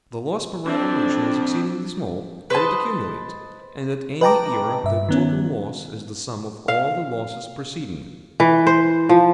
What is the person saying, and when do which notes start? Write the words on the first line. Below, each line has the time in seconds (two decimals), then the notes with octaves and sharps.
The loss per revolution is exceedingly small, but it accumulates, and at any era the total loss is the sum of all the losses preceding it.
0.67 F3 C4 D4
2.50 B4 C5 D#5 A5
4.21 B4 D#5 G5 A5 A#5 D6
4.84 G2 E5
5.09 D#3 B3 C#4
6.68 F5
8.40 E3
8.67 C5
9.09 F3